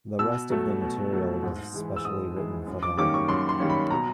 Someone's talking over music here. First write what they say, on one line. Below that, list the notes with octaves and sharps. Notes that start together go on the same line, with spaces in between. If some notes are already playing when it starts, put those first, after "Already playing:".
The rest of the material was specially written for the album.
B2 E6
F#3 A3
B2
F#3 A3
G#2
E3 G#3
E6
G#2 D#6
E3 G#3
F#2
D6
D#3 G3 A#3 C#4 D6
C#6
F#2 C6
C6
D#3 G3 A#3 C#4
B5
B2 A#5